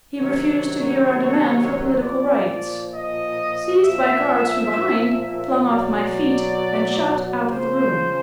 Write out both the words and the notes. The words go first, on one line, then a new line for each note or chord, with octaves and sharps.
He refused to hear our demand for political rights. Seized by guards from behind, flung off my feet, and shot out of the room.
C3 D#3 F#3 C#5
A#2 F3 D5
D#5
A#2 F3 E5
B2 F#3 D5
C#3 F3 C5